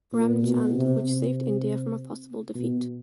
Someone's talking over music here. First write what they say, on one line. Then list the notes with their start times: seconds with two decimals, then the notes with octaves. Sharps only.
Ramchand which saved India from a possible defeat.
0.13 A#2
0.42 B2
0.73 C3
1.04 C3
2.55 B2